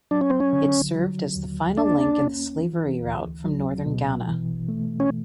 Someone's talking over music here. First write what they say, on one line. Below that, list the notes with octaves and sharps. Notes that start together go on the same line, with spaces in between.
It served as the final link in the slavery route from Northern Ghana.
F#3 D4
C#4
C4
C#4
D3
F#3
D#2
A#3 D4
C#4
E3
D2
F#3
B2
E3
A3
C#4